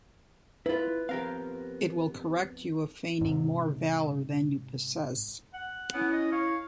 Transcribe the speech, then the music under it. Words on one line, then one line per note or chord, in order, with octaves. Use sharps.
It will correct you of feigning more valour than you possess.
E4 F4 B4
F3 B3 C4 G4 A#4 F5
G#2 C3
F#5
B3 C#4 E4
D#5
C#5 F5